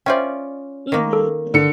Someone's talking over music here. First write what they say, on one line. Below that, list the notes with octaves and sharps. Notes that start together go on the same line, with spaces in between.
Mhm. M
C#4 F4 C5 D5 E5 G5
D#3 A#3
A4
D3 C#7